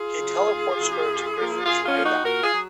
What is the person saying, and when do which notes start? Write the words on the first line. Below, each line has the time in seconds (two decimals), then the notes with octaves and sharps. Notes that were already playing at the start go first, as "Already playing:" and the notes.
He teleports her to Griffin's hideout.
Already playing: F4 G#4
0.20 C#3 F#3
0.49 D#2
0.78 C#3 F#3
1.07 F#2
1.37 F3 A#3
1.65 F#2 F4 G#4
1.84 C#4 F4
1.94 F3 A#3
2.04 D#4 F#4
2.23 A#2 F#4 A#4
2.43 F4 G#4
2.54 F#3